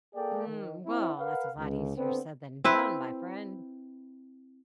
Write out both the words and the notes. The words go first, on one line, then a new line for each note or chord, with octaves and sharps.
Mm, well, that's a lot easier said than done, my friend.
A#3 G#4 A4 D5 G5
D#3
C4 E4
A#4 B4 F5 F#5
C#2
D3 B3 C4
C4 E4 B4